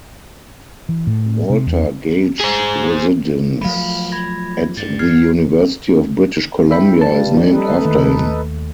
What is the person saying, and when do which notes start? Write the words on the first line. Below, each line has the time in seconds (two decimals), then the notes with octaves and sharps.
Walter Gage Residence at the University of British Columbia is named after him.
0.89 E3
1.07 A2
1.50 C3
1.67 E2
2.40 G#4 C5
3.61 F3 F#3 A3 F5 B5
4.12 B5 G#6 A#6
4.77 G2 A6
4.99 F6 G#6 C7
6.70 E4 E5 G5 B5
7.01 G2 G3 A5
7.34 F3 D4
7.52 G3 D#4 A4 B4
7.81 D#2 A3